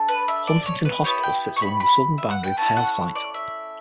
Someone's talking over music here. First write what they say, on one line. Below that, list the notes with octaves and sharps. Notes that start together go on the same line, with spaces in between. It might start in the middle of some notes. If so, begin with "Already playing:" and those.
Huntington Hospital sits along the southern boundary of Halesite.
Already playing: D4 A4
B4
E5
D5
C#5
B4
B3 E4 G4 C#5
G5
C#6
B5
B5
E5
F#5
G5
A3 C#4 E4 A5
F#5
D5
E5